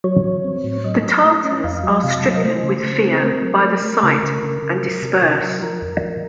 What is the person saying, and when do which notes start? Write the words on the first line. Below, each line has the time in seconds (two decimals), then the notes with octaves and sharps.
The Tatars are stricken with fear by the sight and disperse.
0.04 F#3 C#5
0.24 F#3
0.44 C4
0.64 A2
0.84 F#3 D#5
1.04 F#3
1.24 A3
1.43 C#4
1.64 F2 F5
1.77 F5
1.83 F#3
1.90 D#5
2.03 C3 F5
2.17 A5
2.23 F#3
2.30 D#5
2.37 A#4
2.43 A3 C5
2.63 C#3
2.83 C#3
3.03 C4
3.23 A3 A#4
3.42 F#3
3.62 A3
3.83 A3
4.02 C#3 A#4
4.23 C#3
4.43 C#3
4.62 C#3
4.83 F#3
5.02 C3
5.22 C3
5.42 F#3
5.62 F3 A#4
5.82 F2
6.02 F3